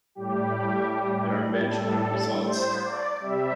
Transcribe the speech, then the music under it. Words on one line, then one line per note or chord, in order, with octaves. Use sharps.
There are benchmark results.
A2 G3 G4
A4
C5
D5
C3 G3 E5